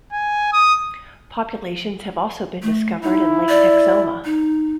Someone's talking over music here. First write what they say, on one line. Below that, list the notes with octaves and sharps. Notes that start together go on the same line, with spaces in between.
Populations have also been discovered in Lake Texoma.
G#5
D#6
A3
D#4 E4
D5
D#4